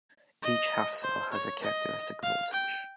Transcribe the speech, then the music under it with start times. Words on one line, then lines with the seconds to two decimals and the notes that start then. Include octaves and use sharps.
Each half-cell has a characteristic voltage.
0.42 D#5
1.02 C5
1.32 C#5
1.63 D#5
2.23 F5
2.53 G5